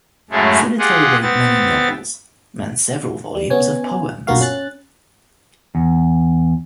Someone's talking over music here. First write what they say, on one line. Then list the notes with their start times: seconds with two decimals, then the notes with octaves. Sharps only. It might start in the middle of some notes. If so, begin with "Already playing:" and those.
Sillitoe wrote many novels and several volumes of poems.
0.31 F#2 A2 C#3 G#3 A3
0.79 F4 G4 G#4 D#5 F#5
1.21 B3 C4 A6
3.35 G3
3.50 B3 C#4 G#5
4.27 B1 G2 A#2 A#3 F#4 F5
4.41 C#4 F#6 A6
5.75 E2